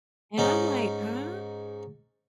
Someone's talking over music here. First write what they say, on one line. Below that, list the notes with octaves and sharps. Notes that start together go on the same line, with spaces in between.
And I'm like, "Huh?"
G#2 C#4 D#4